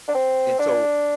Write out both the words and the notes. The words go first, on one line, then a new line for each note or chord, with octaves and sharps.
And so
D4
C4
D4